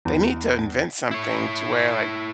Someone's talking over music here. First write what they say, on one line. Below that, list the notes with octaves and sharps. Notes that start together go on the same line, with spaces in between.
They need to invent something to where, like,
E2
E4 C#5